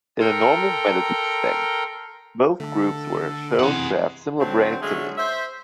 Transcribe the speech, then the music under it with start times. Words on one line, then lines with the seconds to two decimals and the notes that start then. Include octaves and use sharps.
In a normal meditative state, both groups were shown to have similar brain activity.
0.20 A4 A#4 G5 A#5 C6
2.60 D3 A3 A4
3.60 C3 E3 G#4 C5 F#5
4.40 D3 F#3 C4
4.81 D3 F#3 G#3 A3 C#4
5.17 C5 E5